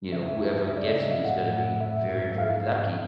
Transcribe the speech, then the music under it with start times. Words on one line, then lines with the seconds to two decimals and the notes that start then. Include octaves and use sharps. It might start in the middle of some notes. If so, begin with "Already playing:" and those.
you know, whoever gets you, is gonna be very, very lucky.
0.11 C#3 E5
0.69 E5
0.77 D5
0.88 D#5
0.96 C#3 E5
1.11 F5
1.25 A2 F#5
1.54 F#5
1.81 E5
2.09 G#2
2.32 E5
2.38 F5